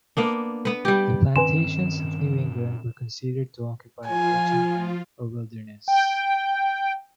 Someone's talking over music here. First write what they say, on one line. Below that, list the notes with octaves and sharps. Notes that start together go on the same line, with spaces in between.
The Plantations of New England were considered to occupy "virgin" land or wilderness.
A#3 B3 D4
B3 B4
G3 G4
G2 D#3 C4 C#4 B4 G#5 C6 E7
F3 F4 G#5
G5